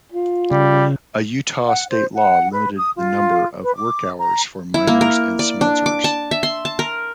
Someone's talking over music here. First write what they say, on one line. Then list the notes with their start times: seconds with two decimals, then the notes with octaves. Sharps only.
A Utah state law limited the number of work hours for miners and smelters.
0.13 F4
0.51 C#3 G3
1.67 F#5
1.90 C5
2.14 F#5
2.51 B4
2.77 D#6
2.97 F4
3.63 B4
3.75 D6
4.19 A#5
4.74 E4
4.87 A#3
5.01 A#4
5.39 D5
5.61 D4
5.86 D6
6.04 A5
6.31 E5
6.43 C6
6.65 A5
6.79 A#4